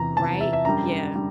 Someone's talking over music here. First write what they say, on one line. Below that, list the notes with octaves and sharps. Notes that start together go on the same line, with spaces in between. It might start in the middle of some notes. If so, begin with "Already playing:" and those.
Right? Yeah.
Already playing: E2 C3 E3 A#5
E2 C3 E3 A5
E5
E5
F#2 D3 G3 A#5
D3 G3